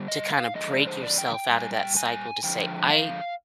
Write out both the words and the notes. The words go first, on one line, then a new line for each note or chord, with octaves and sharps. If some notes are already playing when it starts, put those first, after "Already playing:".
To kinda break yourself out of that cycle to say, "I
Already playing: D3 G3
D#5
F5
D3 F3 G#3 D#5
D5
C5
D5
G5
G5
A#2 G3 G#5
G5
G#5
D3 F3 G#3 G5
F5